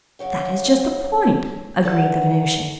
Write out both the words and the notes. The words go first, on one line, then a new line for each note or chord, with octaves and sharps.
"That is just the point," agreed the Venusian.
C#3 F#3 C#5 G5
E2 B3 A4 A5